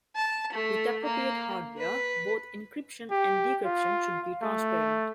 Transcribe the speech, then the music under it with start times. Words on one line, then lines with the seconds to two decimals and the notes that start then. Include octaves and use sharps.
With appropriate hardware, both encryption and decryption should be transparent.
0.16 A5
0.53 A3
1.04 A#3
1.78 B4
3.11 G4
3.65 F4
4.42 A3